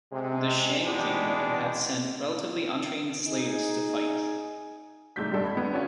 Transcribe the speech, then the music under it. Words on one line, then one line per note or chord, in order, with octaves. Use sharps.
The Shang King had sent relatively untrained slaves to fight.
C3 G#3
E2 B2 G#3 D4 G4
D#4 G#4
C2 G#2 G#3 A3 G6 B6
A#1 G2 G3 G#3 A4 D5
B5 G#6
B3 D4
C#4 F4 F#4 C#5 D5